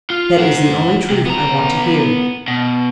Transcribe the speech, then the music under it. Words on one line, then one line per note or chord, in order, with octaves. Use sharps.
"That is the only truth I want to hear."
F4
C5 F#5
C3
B3 A#5
B2